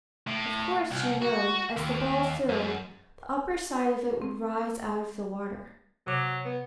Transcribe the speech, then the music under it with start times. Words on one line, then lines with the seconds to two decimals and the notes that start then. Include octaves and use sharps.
Of course, you know, as the ball filled, the upper side of it would rise out of the water.
0.27 A2
0.91 C2
1.22 F#4
1.76 D#2
2.49 F#2
4.22 C4
6.07 C3 F#3 D6
6.45 B3